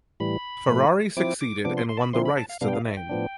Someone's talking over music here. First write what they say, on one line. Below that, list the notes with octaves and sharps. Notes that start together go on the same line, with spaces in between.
Ferrari succeeded and won the rights to the name.
A2 E3 G3 B5
A2 F3 A3
F3 C4 E4 D6
D6
C3 F3 B3 D4 D6
C6
C6
A5
B5
D3 F3 C4 E4 C6
B5
A5
F5
B2 G3 B3 D4 F5
G5
F5
E5
G5
A2 F3 B3 D4